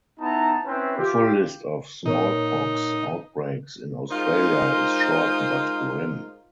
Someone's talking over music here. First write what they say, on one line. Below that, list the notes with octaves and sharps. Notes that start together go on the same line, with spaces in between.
A full list of smallpox outbreaks in Australia is short but grim.
B3 D#4 E4 A5 A#5
C4 C#4 E4 B4
F4 G4
A#2 D#4 A#4 C#5
G#3 D#4 F4 A#4 C5